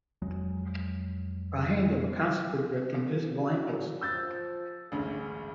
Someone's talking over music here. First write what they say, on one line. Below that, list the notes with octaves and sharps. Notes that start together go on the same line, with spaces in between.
Behind him a constable gripped invisible ankles.
F2 F#3 G#3
F#3
F3 E6 G6 A6
A1 D2 G2 G#3